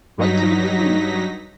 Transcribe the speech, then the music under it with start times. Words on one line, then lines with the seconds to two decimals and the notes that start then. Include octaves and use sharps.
Right to the moon!
0.18 G2 F#3 D#4 A#6 B6